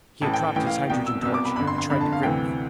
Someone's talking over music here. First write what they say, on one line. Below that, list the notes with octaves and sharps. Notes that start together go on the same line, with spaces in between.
He had dropped his hydrogen torch, and tried to grip me.
A1 A2 E3 A5
G5
A1 A2 E3 G5
F5
F5
C2 B2 G5
E6
C2 B2 E6
D6
B5
G1 F2 D3 B5
C6
C6
G1 F2 D3 B5
A5
F5
D2 C3 E3 G5